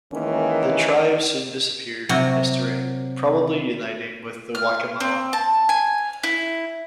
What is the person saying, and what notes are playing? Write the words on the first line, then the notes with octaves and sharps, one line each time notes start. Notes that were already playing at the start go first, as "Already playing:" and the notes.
The tribe soon disappeared from history, probably uniting with the Waccamaw.
D#3 E3 G#3 A#3 C#4
C3 F#3
F6
C4
A5
G#5
E4